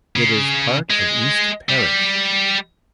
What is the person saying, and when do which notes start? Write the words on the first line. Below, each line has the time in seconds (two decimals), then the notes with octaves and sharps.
It is part of East Parish.
0.16 C#3
0.90 G#3
1.69 G3